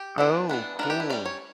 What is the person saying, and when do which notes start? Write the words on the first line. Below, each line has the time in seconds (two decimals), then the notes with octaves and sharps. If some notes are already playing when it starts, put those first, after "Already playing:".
Oh, cool.
Already playing: G4
0.18 E3 B3 D4
0.49 E3 B3 D4
0.79 E3 B3 D4 A#4
0.90 G4
1.00 E4
1.10 G3 C#4 D5
1.25 C#5